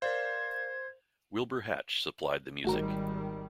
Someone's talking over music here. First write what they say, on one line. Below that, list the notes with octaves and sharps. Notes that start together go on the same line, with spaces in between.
Wilbur Hatch supplied the music.
A#4 C5 D5 F5 G#6
G#1 D#3 G3 A3 F#4 A#4